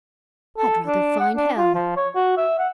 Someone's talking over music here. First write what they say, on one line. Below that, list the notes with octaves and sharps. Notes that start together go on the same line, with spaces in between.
I'd rather find hell!
A4
D4
F#5
D4
F4
F3
C#5
F#4
E5
F#5